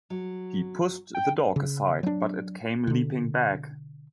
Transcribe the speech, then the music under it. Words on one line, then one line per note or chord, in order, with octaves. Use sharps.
He pushed the dog aside, but it came leaping back.
F#3
G5
C#3
F#3 D4
B2 D3